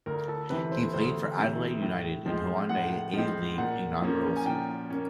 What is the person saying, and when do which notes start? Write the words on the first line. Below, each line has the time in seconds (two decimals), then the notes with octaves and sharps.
He played for Adelaide United in the Hyundai A-League's inaugural season.
0.06 D2 A#4
0.28 A4
0.50 C3 E3 B4
0.72 C5
0.93 D2 C5
1.37 C3 E3
1.82 A2
2.26 F3 G#3 C4
2.69 A2 F#5
3.13 F3 G#3 C4
3.58 A#2 F#5
4.02 F3 A#3 C#4
4.37 G#5
4.45 A#2 G5
4.90 A#3 C#4